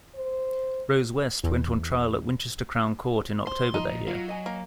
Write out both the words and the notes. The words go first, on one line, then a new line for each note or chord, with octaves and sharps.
Rose West went on trial at Winchester Crown Court in October that year.
C5
E2
C5 C6
F3 D#4
A#2
F#3 F4
D#5 G#5
A#3